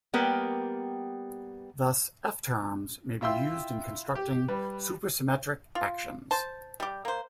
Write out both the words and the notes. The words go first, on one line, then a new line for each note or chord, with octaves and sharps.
Thus F-terms may be used in constructing supersymmetric actions.
G3 A#3 B3 G4 A#4 G5
E4 F4 E5 G5 C6 E6
G4
G3 B4
F4
C5 A5
G3 G4
A#3 C5